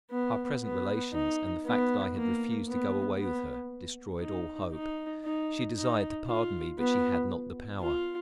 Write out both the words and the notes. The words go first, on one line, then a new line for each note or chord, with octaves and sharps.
Our present relations, and the fact that I had refused to go away with her, destroyed all hope; she desired to pardon me but she had not the power.
B3
B3
D#4
B3
A#3
B3
B3
D#4
D#4
D#4
D#4
F4
B3
F4